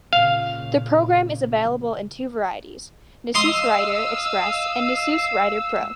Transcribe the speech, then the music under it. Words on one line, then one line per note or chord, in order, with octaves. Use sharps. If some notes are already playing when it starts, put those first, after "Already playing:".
The program is available in two varieties: Nisus Writer Express, and Nisus Writer Pro.
A#2 C#3 F5
D#5 F5 C6 D#6 E6